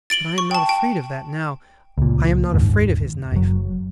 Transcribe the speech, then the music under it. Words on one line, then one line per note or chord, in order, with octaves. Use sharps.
But I am not afraid of that now, I am not afraid of his knife.
A6 D7 F#7 G7
C#6
G5 A5
G5
C#2 A#2
F#1 D#2 G#2
F#1 F#3